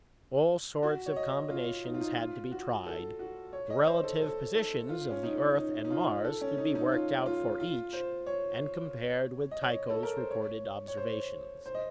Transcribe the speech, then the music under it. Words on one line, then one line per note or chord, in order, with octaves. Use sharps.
All sorts of combinations had to be tried, the relative positions of the earth and Mars to be worked out for each, and compared with Tycho's recorded observations.
F#4
C#5
D#5
F4
D#4
F4
D#4
F4
F#4
A4
F#4
C#5
D#5
C5
A4
A4
A4
F4
C#4
D#4
D#4
D#4
F4
A4
C#4
D#4
D#4
F4
F4
F4
C5
C#5
D#5
C#5
A4
A#4
C5
C#5
C#5
C5
C5
D#5